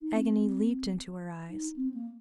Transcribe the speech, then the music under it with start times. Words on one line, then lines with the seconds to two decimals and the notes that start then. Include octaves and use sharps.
Agony leaped into her eyes.
0.02 D#4
0.14 C4
1.49 D#4
1.76 C4
1.94 A#3